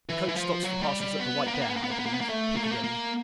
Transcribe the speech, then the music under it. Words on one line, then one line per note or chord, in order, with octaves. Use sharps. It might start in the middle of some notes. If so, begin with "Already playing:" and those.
The coach stops, for parcels, at the White Bear, I believe, Piccadilly.
E3
E3
F3
F#3
G3
G3
B3
A#3
B3
A#3
B3
A#3
B3
A#3
B3
A#3
B3
A#3
A3
A#3
A3
A#3
A#3